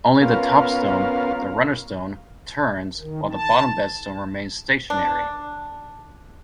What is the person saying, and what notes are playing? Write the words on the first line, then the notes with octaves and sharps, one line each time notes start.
Only the top stone, the runner stone, turns, while the bottom bedstone remains stationary.
B3 C#4 F4 A#4 F5
D#3
A5
D4